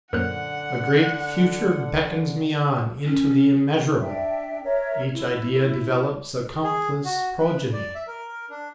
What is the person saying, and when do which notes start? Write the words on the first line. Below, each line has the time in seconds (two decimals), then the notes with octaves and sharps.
A great future beckons me on into the immeasurable; each idea develops a countless progeny.
0.13 F#2 A#2 D3 A#4 C5 F#5 F#6
3.04 C#4
4.00 D4 E5 G5
4.64 A#4 C#5 E5
5.12 E4
6.63 G#4
7.05 F#4
7.38 B4
7.73 D5
7.95 E5
8.07 A#4
8.50 D4